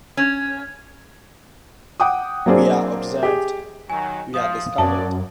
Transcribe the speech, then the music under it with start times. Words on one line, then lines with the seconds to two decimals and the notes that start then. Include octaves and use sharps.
We are observed! — we are discovered!
0.17 C#4
2.00 F#5 G5 D6 D#6
2.46 F#3 A#3 C4 D4 G#4
3.23 G4 G#4
3.90 D#3 F#3 G#5
4.34 F3 F5 D#6
4.78 F#2 F#3 D5 A5